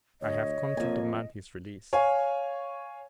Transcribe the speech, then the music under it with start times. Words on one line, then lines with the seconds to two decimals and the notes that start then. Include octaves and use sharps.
"I have come to demand his release."
0.21 D2 C#5 D#5
0.77 F2 A#3 G#5
1.93 C#5 F5 G#5